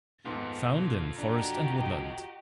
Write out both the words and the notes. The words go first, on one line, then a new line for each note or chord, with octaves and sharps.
Found in forest and woodland.
D#2 G#2 B3 F4 A4
D4 F#4 G4 D#5 A#5